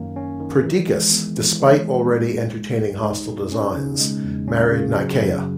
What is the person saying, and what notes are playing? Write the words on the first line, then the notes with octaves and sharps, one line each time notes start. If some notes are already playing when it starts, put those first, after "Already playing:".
Perdiccas, despite already entertaining hostile designs, married Nicaea.
Already playing: F#2 D#3 A#3 C#4
C#4
D#3
E3
G#3
B3
E3
E3
G#3
D#4
B2
G#3
C#2
D#4
B2
C#4
C#3
G#3
E2
C#4
C#3
F#3
F#2